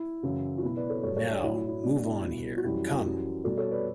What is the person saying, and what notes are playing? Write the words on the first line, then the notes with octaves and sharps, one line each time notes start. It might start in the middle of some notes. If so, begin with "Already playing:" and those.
Now move on here - come!
Already playing: E4
F#2 C#3 E3
F#4
B2 F#3 E4
B4 D5
A4 C#5
G2 F#3 A4 C#5
A4 C#5
D4
A2 F#3 E4
F#4
E4
B2 G3 D4
D4
E4
B2 G3
F#4
F#2 E3 G3 E4 G4
F#2 E3 G3
B2 G3 F#4 A4
A4 C#5
B4 D5